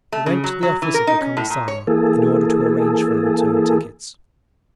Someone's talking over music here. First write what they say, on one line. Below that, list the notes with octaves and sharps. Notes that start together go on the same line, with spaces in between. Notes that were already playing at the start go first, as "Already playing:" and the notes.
We went to the office of the Commissar, in order to arrange for our return tickets.
A3
C#3
F#3
F#3
E3
A#4
D#4
C#4
A2
A#2
C#5
E3 A#3 G#4 A4